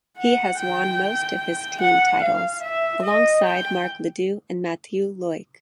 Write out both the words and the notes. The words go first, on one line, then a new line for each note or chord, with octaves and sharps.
He has won most of his team titles alongside Marc Ledoux and Mathieu Loicq.
F#5
G5
F#5
F5
E5
D#5
G5